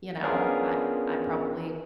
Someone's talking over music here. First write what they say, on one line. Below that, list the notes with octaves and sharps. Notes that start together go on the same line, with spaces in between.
You know? I I probably
B3 C#4 D4 F4 G#4 A#4